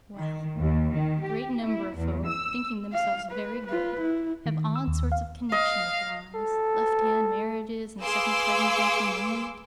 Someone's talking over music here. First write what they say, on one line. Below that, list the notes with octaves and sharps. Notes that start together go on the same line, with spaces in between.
Well! a great number of folk, thinking themselves very good, have odd sorts of connexion with lies, left-hand marriages, and second cousins-once-removed.
D#3
D#2
D#3
G4
E4
E2
E6
F5
B4
F4 B4
E4
D#3
E6
D#2
F5
D#5 F5
A4
G#4 B4 F5 C6 D6 E6